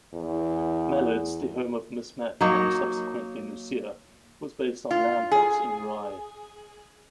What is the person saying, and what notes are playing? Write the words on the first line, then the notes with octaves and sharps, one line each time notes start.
"Mallards", the home of Miss Mapp-and subsequently Lucia-was based on Lamb House in Rye.
E2
F#3 A#3 D#4 C#5
F4
G#4